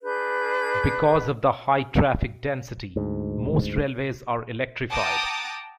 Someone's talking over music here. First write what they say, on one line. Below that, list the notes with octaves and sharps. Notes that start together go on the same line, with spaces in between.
Because of the high traffic density, most railways are electrified.
D4 G#4 B4 G6
D2 G#2
F#5 G5 A5 A#5 D6 D#6